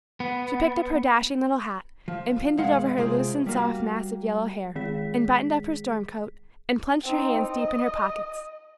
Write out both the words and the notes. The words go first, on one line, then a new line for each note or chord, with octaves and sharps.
She picked up her dashing little hat, and pinned it over her loosened soft mass of yellow hair, and buttoned up her storm coat, and plunged her hands deep in her pockets.
B3
F3
B1 D#3 G#3 F5 F#5
C3 G#3 F4 G#4 G5
G3 A#3 F#4
D#3 G#3 G#4 B6
C4 D#4
D#5